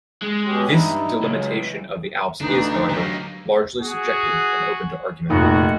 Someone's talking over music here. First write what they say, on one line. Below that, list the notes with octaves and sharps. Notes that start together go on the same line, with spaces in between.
This delimitation of the Alps is, however, largely subjective and open to argument.
G#3
B2 C#4 G4
G2 D#4 E4
C#2 F#3
E3
D2 D3 E3 D4 D#4
D3 F#3 A3 A#3 G4
F#4 G#4
F1 A#2 D#4 F#4